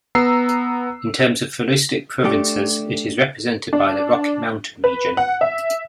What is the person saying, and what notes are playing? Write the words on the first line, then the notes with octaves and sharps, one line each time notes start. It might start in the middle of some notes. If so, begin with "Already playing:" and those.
In terms of floristic provinces, it is represented by the Rocky Mountain region.
B3 A#5 E6 C7
A3 D4 G4
D4
B4
F#5
E5